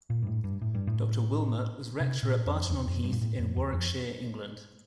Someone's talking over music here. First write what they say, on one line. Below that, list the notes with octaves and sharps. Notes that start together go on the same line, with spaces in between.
Doctor Wilmot was rector at Barton-on-Heath in Warwickshire, England.
A#2
G2
A2
G2
A2
G2
A2
C3
A#2
F2
E2
F2
G2
A#2
A2
F2
E2
F2